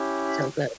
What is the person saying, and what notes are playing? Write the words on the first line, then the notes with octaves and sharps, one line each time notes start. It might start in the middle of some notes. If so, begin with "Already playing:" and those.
So good.
Already playing: C#4 E4 G4
B5